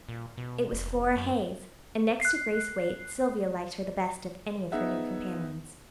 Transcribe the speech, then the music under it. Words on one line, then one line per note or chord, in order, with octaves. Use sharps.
It was Flora Hayes; and, next to Grace Waite, Sylvia liked her the best of any of her new companions.
A#2
B2
F1
F#2
F#6 C7
B3 D#4 G#4 E5 F#5